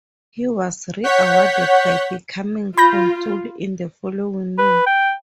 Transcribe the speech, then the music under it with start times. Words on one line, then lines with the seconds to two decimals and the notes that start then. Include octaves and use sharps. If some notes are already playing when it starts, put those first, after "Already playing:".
He was rewarded by becoming consul in the following year.
1.03 C#5 F#5 G6 B6
2.78 F4 B5 G6 A#6
4.58 B4
4.86 G5